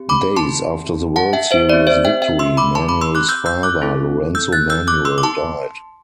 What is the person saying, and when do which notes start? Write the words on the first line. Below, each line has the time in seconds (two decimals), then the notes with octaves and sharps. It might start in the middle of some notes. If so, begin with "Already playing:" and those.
Days after the World Series victory, Manuel's father, Lorenzo Manuel, died.
Already playing: C4 G4
0.09 B5 D6
0.36 A5 C6
1.16 F#5 A5
1.33 E5 G5
1.51 C5 E5
1.69 C4 G4 D5
1.87 C5 E5
2.05 E5 G5
2.22 E5 G5
2.39 C6 E6
2.57 B5 D6
2.75 A5 C6
2.89 B5 D6
3.01 C6 E6
3.15 D6 F#6
3.29 E6 G6
3.46 E6 G6
3.63 D6 F#6
3.81 C4 E4 A4
4.35 E6 G6
4.53 F#6 A6
4.70 E6 G6
4.87 D6 F#6
5.05 C6 E6
5.18 D6
5.23 A5 C6